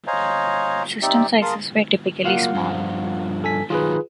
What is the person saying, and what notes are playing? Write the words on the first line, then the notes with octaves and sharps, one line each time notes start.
System sizes were typically small.
C5 C#5 D#5 F5 G#5 A#5
C4 D#4 G4 D5 E5
G#4 A#4 F5 A5 C6 D#6
F#3 A#3 F4 F5 F#5
G2 F3
A4 G#5 B6
D#3 F#3 F4 G#4 B4